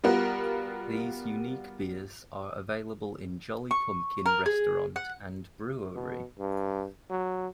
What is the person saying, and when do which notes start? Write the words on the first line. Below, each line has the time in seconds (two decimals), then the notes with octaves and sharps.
These unique beers are available in Jolly Pumpkin Restaurant and Brewery.
0.04 G3 B3 F4 F#4 A#4
3.71 C#6
4.26 A#4
4.46 G#4
4.96 F#5
5.96 B2
6.40 G2
7.11 F#3